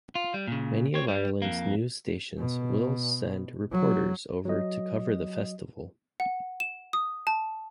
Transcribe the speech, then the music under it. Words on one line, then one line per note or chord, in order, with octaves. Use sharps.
Many of Ireland's news stations will send reporters over to cover the festival.
F4
G3
A#2 C#3
C4 C#5
G3
F2 A#3
B2
F#3
F#3 D#5
F#5
E7
D#6
A5